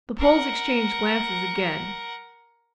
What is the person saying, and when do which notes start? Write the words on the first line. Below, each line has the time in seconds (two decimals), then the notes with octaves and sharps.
The Poles exchanged glances again.
0.18 A#4 F#5